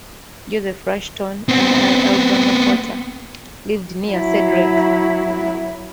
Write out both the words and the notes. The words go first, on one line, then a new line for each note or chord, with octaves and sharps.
Joseph Rushton, an early Alabama potter, lived near Cedric.
B3 C4
F#3 E4